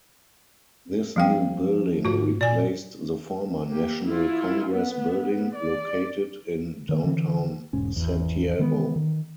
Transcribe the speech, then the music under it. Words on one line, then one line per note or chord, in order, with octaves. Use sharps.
This new building replaced the Former National Congress Building, located in downtown Santiago.
F3 G3 B3 G5
G#2 F4 F#4
A#2 D5 G#5
A#3 G4
E4 F4
B3
D5
D#3 A#3
D3 E3
E1 G#2 C#4
G#1 E2
D#3 E3 G#3 B3
D#3